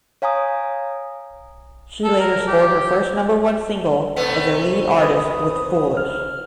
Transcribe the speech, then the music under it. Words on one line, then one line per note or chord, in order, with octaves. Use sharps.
She later scored her first number-one single as a lead artist with "Foolish".
C#5 F5 G#5 A#5 D#6
A4
A#4
G4
C3 A3 B3
B4 B5 D#6
F6